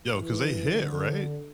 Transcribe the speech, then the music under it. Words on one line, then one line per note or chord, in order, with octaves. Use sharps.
Yo, 'cause they hit, right?
E3
D3